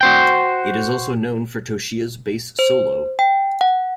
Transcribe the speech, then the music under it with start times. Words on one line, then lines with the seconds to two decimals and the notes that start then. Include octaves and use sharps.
It is also known for Toshiya's bass solo.
0.01 F#4 C5 G5
2.59 C5
3.19 G5
3.61 F#5